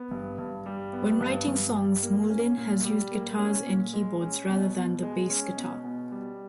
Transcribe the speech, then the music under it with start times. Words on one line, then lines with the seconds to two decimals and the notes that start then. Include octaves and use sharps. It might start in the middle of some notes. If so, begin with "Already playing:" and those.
When writing songs Moulding has used guitars and keyboards rather than the bass guitar.
Already playing: B3
0.11 G2
0.38 G2
0.66 G3
0.93 B3
1.21 G2
1.48 G2
1.75 G3
2.03 A#3
2.29 C#4
2.57 A#2
2.84 G3
3.11 A#3
3.38 C#4
3.66 A#2
3.93 G#3
4.21 C#4
4.48 B2
4.75 B2
5.03 G#3
5.30 C#4
5.56 B2
5.84 B2
6.12 G3